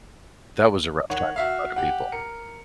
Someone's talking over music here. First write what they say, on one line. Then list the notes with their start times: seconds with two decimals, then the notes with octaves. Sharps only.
that was a rough time for a lot of people.
1.10 D#3 C#5 F#5
1.36 F#4 E5 F5
1.76 G4 F#5
2.12 A#4 C#7